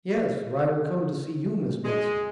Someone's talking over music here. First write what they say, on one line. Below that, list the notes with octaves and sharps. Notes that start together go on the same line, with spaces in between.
"Yes, or I will come to see you, Miss Mason."
G#3